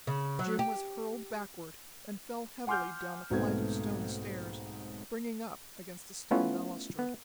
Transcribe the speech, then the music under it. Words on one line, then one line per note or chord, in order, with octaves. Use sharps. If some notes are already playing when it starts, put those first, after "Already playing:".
Jim was hurled backward, and fell heavily down a flight of stone stairs, bringing up against a stone balustrade.
C#3
F#3
G4
F#5 G#5 C6 D6 F6 G6
B1 G#2 A3 B3 C4 G#6
A3 B3 C#4 E4 F4 C#5
B3